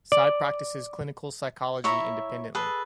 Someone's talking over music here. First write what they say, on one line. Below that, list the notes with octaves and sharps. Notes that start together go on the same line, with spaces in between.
Tsai practices clinical psychology independently.
D5
E4 C#5 E5 A#5
G#4 A4 B4